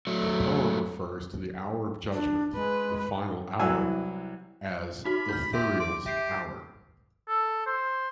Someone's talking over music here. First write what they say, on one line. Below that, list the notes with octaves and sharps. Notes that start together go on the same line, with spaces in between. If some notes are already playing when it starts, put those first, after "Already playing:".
The poem refers to the hour of judgement, the "final hour", as "Ithuriel's Hour".
F#3 A3
D4
G#3 B4
C2 E3 F#3 G#5 E6
D#4 F#4 B5
F6 G6
G4 E5 C6
C6 D6
G4 E5 C7 D7
A4
C5